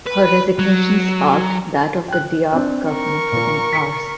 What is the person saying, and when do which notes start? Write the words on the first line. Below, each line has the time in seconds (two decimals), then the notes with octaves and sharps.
Her resignation sparked that of the Diab government within hours.
0.07 B4
0.59 F#3
2.08 G5 F#6
2.53 C4 D4
2.93 A#4 C#6
3.32 A#2
3.73 B6 C#7